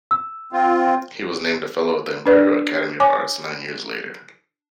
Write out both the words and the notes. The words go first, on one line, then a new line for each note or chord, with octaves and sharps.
He was named a fellow of the Imperial Academy of Arts nine years later.
E6
C4 F4
D4 B4 D5
C#5 G#5 D6